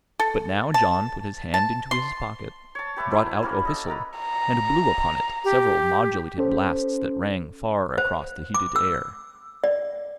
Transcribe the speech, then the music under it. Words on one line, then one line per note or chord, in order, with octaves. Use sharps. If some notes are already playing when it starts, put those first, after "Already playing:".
But now John put his hand into his pocket, brought out a whistle, and blew upon it several modulated blasts that rang far across the heated air.
A4
A5
A5
C6
C#5 A5
G4 B4 E5 D6
F#3 E4 C5
G3 A#3 C#4 F#4
A4 D#5
A#4 B4 A#5 B5
A#5
G4
C#4 A4 C5
C5
D6
E6
D5